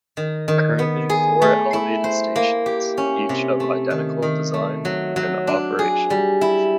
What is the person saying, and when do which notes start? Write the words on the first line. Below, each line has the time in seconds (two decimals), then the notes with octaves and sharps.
Currently four elevated stations, each of identical design, are in operation.
0.17 D#3
0.48 D#3
0.79 B3
1.10 G#4
1.42 A3
1.73 E4
2.04 C5
2.36 A#3
2.66 G4
2.98 C#4
3.29 C3
3.60 A3
3.91 D#3
4.22 D#3
4.54 A3
4.85 F#3
5.16 F#3
5.47 D4
5.79 G#4
6.10 G3
6.41 E4